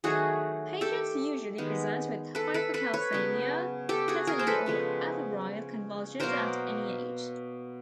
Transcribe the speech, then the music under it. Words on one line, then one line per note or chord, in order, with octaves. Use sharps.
Patients usually present with hypocalcaemia, tetany, or afebrile convulsions at any age.
D#3 F#3 A3 F#4 G#4
G4 A4
D#3 G#3 B3
A4 B4
A4 B4
A4 B4
B4 C#5
C#3 F#3 B3
G4 A4
F#4 G#4
G#4 A#4
C5
A4 B4
C#3 F3 G#3 B3
B2 F#3 A#3 A#4 C5